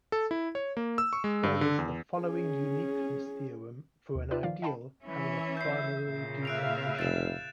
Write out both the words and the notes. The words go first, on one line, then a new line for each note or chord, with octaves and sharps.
There is the following uniqueness theorem for an ideal having a primary decomposition.
A4
E4
C#5
A#3
E6
C#6
G#3
G2
D3
E2
C#4 G#4
D#2
D#4 F4 B4 D5
D#3 F3 D5 F5
D#5 F5 G5 A5 B5
E3 C#4 E5
G6 C7
A#2 C#3
E5 F5 F#6 D7 F7
F1 A6 E7